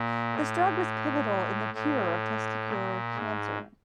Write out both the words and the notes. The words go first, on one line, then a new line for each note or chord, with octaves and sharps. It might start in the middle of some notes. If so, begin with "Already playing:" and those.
This drug was pivotal in the cure of testicular cancer.
Already playing: A#2
A2
A2
A#2
G#2